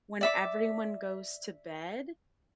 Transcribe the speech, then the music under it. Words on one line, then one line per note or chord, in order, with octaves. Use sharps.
when everyone goes to bed
D5 E5 D6